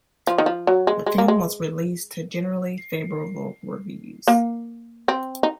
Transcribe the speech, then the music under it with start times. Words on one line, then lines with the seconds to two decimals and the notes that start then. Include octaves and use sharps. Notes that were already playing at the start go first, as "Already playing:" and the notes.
The film was released to generally favorable reviews.
0.27 F3
0.38 D#3
0.46 F3
0.67 F#3
0.87 G#3
1.06 G#3
1.18 A#3
1.28 G#3
4.28 A#3
5.08 C4
5.43 D#4